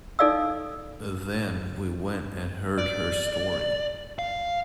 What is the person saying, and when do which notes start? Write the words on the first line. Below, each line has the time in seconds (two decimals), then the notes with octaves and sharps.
Then we went and heard her story..
0.19 D#4 A4 D5 F5 E6
2.78 D5
4.19 F5